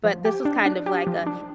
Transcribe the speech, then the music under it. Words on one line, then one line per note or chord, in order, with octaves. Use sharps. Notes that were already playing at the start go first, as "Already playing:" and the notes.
but this was kind of like a,
F3
G4
D4
D4
G4
F3
D4